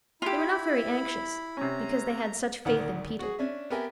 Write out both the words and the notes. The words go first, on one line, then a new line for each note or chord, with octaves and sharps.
They were not very anxious, because they had such faith in Peter.
E4 F4 G4 B5
C3 C#4 A#5
D2 A#2 D#3 F#5 F6
F#4 G#4
C#4 D4 E5
B3 G4 A#4 E5 G5 G#5